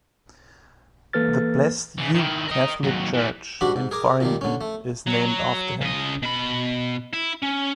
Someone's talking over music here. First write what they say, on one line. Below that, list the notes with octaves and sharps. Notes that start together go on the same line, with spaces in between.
The Blessed Hugh Catholic Church in Faringdon is named after him.
E3 A#3 A4 B4 F6 A6
C#3 E3
D#3 E4
A#4 D#5
D#2 F#3
E3 G3
G#2 G3 D4 F#4 B5
G#2
G#4 A#4 D6
A#2 D#3 G3
D3 C#4
A3
F#3
F#3
C#3 D#5
B2 B5
E4
C#4